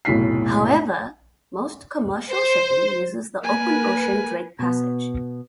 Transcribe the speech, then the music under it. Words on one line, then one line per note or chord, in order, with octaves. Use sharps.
However, most commercial shipping uses the open-ocean Drake Passage.
F1 B1 A2 B6 C7
C5
A#3 A#4 B4 G#5
B2 B3